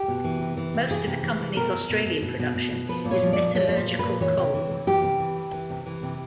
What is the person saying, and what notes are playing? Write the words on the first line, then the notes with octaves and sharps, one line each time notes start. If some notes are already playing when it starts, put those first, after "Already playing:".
Most of the company's Australian production is metallurgical coal.
Already playing: G4
B2
E3
C3
E3
C3
E3 G#4
C3
E3
C3
B2 A#4
B2
B2
B2
B2
B2
B2
B2
F3 B4
A#2
C#5
F3
D5
A#2
F3 C#5
A#2 C#5
C5
F3
B4
A#2
E3 C#5
C3
E3
C3
E3 G4
C3
E3
C3
E3
C3
E3
C3